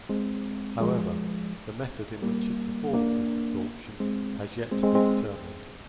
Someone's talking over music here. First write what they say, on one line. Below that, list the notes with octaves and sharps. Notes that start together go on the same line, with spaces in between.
However, the method in which it performs this absorption has yet to be determined.
G#3 C4
F3 G#3
G3 A#3
A#3 D4
G#3 C4
G#3 C4
G#3 C4
G#3 C4